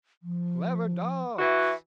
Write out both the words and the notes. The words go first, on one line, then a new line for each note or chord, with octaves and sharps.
Clever dogs!
F3
E3 F#4 E5